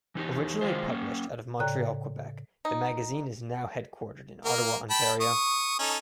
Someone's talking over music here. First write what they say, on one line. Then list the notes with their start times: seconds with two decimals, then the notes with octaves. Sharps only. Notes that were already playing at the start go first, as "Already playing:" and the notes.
Originally published out of Montreal, Quebec, the magazine is now headquartered in Ottawa, Ontario.
0.15 E3 D#4 G4
0.61 D#3 G#3 F4 C5
0.88 A#3 C#4
1.60 A2 C#3 D5 G5 A#5 F#6
2.65 D#4
4.45 A#3 A#4
4.90 G5 A5 B5
5.21 C#6 D#6
5.79 C#4 D#4 A4